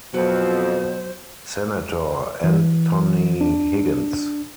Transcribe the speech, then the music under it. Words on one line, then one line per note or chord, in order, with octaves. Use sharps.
Senator Anthony Higgins.
F2 B2 F#3 C5
E3
D4